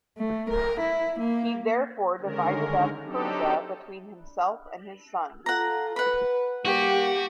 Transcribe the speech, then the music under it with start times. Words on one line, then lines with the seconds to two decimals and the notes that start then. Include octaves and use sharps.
He therefore divided up Persia between himself and his sons.
0.18 A3
0.50 A#4
0.81 E4
1.20 A#3
2.20 D3 D#3 G#3 C#4 A#4
3.04 F#3 C4 D4 D#4 G4 A4
5.46 F4 A4 F#5 A#5
5.96 B4 F#5 B5
6.65 G3 A#3 F#4 G4